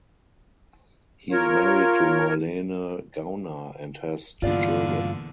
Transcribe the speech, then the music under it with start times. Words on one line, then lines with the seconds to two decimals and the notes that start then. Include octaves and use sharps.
He is married to Marlene Gauna and has two children.
1.32 F4 A#4 C#5
4.42 E2 G2 A#2 D3 F4 D5 F5